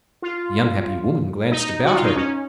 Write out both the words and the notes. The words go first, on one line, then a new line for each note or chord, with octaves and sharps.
The unhappy woman glanced about her.
F4
D#4
F#4
F4
D#4
C#4